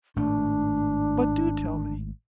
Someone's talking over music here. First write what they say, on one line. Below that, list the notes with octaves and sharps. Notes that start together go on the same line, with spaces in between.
"But do tell me!"
G#1 A2 A3 D4